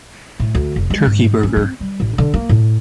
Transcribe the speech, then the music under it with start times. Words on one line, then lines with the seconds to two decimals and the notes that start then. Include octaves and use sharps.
Turkey burger.
0.40 A2
0.55 D2
0.76 F1
0.90 G#3
1.07 G#2
1.43 C#4
1.57 C4
1.80 G3
2.00 A1
2.18 D3
2.34 A#3
2.49 A2